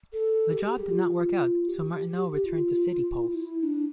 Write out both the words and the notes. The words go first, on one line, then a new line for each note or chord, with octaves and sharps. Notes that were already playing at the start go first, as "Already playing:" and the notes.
The job did not work out, so Martineau returned to City"Pulse".
A4
G4
A4
G4
F4
G4
F4
E4
D4